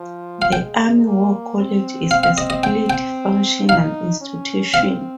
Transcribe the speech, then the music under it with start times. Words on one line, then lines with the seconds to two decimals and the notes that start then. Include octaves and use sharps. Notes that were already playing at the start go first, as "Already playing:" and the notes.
The Army War College is a split-functional institution.
Already playing: F3
0.42 F5
0.53 G#3 G5
1.06 A#3
1.58 C4
2.11 F5
2.23 F5
2.38 D#5
2.50 D#5
2.63 G5
2.90 G5
3.69 D#4 F5
4.21 C#4
4.74 C4 F5